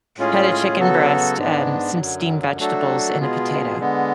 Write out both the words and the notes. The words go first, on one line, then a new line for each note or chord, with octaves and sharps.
had a chicken breast and some steamed vegetables and a potato.
A2 G#3 C#4 F4 G#4
C#3 F#3 B3 F#4 A4
G#2 G#3 B3 D4
F#2 D3 F#3
F#3 A3 D4 F#4 A4
B2 G#3 B3 F4 G#4
D3 G#3 B3